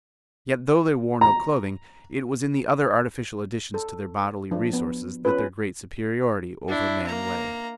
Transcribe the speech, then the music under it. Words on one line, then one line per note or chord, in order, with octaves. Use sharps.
Yet though they wore no clothing, it was in the other artificial additions to their bodily resources that their great superiority over man lay.
A#5
A4
F3 D4
B3
C#4 F4 B4
D4 E4
A#3 A#5